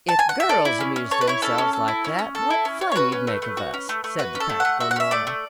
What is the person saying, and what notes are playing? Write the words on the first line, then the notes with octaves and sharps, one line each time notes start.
"If girls amused themselves like that what fun you'd make of us!" said the practical Nora.
A5
G#5
F#5
E5
A4 D5
E4
C#4
C#4
A4 C#5
B4
E4 C#5
C#4 A4
C#4
A4
E4
C#4
C#4
A4
E4
C#4
C#4
C#5
F#4 B4
C#4
A3
A3
F#4
C#4
A3
A3
F#4 B4
C#4
A4
A3
A3 F#5
F#4 E5
F#5
C#4 E5
A3 D5
A3